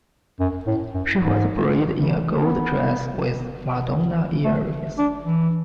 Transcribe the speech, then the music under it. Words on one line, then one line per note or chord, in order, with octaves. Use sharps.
She was buried in a gold dress with Madonna earrings.
F#2
A2
F#2
G#2
E3
B3
A3
D4
E3